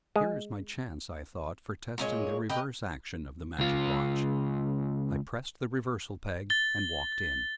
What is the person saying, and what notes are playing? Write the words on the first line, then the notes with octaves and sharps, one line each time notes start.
"Here is my chance," I thought, "for testing the reverse action of the Magic Watch!" I pressed the 'reversal-peg' and walked in.
G#3
A#2 G#3 C#5
G4 A#4 B4 D#5
C#2 F4
A6 G7